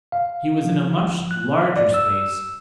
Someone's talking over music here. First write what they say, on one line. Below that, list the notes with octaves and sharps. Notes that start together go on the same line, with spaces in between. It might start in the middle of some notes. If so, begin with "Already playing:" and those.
He was in a much larger space.
F5
F3
F#6
D5
E6